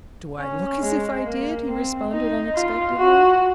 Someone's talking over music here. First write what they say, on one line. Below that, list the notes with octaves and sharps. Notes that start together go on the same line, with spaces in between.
"Do I look as if I did?" he responded unexpectedly.
C#4
G#3
A#3
C4
D#4
F4
F#4